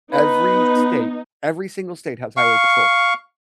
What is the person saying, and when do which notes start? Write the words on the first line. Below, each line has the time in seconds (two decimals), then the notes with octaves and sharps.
Every state every single state has highway patrol,
0.12 B3 D#4 B4
2.37 F5 C#6